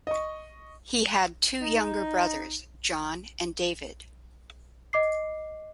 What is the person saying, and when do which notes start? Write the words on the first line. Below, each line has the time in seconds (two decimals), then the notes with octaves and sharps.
He had two younger brothers, John and David.
0.07 D#5 C#6
1.61 D#4
4.93 D#5 D6 C7